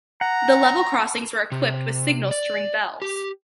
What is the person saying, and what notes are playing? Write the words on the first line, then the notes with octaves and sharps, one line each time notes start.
The level crossings were equipped with signals to ring bells.
F#5 A#5
C3
D5
G4